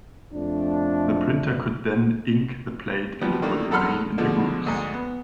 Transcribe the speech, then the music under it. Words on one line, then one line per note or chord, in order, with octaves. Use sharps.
The printer could then ink the plate, and it would remain in the grooves.
F2 A3 D4
F3 G3 B3
D#3 A3 A#3 D4 E4
E2 A4 F#5 B5 C6 F6
B2 D3 F3 G#3
D2 G#2
B3